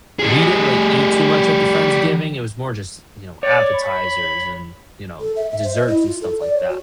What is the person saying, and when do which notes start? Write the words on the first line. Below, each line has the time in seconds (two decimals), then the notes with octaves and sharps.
we didn't really eat too much at the Friends-giving, it was more just, you know, appetizers and, you know, desserts and stuff like that.
0.19 G3 G#4
3.43 C#5 D5
3.75 B5
5.20 A4
5.36 E5
5.51 E5
5.64 C5
5.75 D#5
5.88 E4
6.05 F4
6.21 A4
6.40 D5
6.54 C#5
6.69 F#4